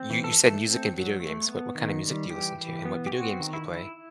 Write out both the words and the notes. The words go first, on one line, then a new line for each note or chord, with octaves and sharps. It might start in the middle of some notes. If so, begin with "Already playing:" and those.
You you said music and video games. What what kinda music do you listen to, and what video games do you play?
Already playing: C4
E3
A4
A3
C4
F#3
A3
B3
D#3
G3
E3 G4
E3
B3
G4
C4 F#4
D#3
E4